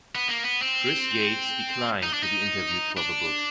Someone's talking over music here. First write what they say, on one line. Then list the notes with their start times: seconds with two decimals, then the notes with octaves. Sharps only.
Chris Yates declined to be interviewed for the book.
0.15 B3
0.29 A#3
0.43 B3
0.62 C4
2.03 D#4
2.13 D4
2.23 D#4
2.97 D4